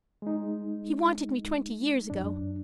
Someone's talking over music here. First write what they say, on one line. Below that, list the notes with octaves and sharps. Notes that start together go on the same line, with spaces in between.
He wanted me twenty years ago.
G#3 D#4
F#2 D4